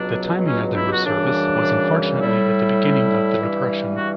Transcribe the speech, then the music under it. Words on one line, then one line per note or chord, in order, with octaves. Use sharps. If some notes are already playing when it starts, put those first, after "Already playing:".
The timing of their new service was unfortunately at the beginning of the depression.
Already playing: C#2 B2 F#3 D4
C#4
E4
G4
F#4
F#2 C#3 E3 G3 D4
A2 G3 E4
G2 E3 G3
F#4